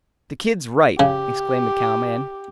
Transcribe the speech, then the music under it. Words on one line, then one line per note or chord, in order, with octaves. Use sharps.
"The kid's right," exclaimed a cowman.
C#3 G4